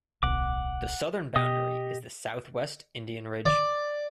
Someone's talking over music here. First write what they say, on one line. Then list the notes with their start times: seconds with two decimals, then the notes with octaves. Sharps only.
The southern boundary is the Southwest Indian Ridge.
0.23 D1 B1 F#5 D6
1.36 B2 G4 D#5 D#6
3.46 D5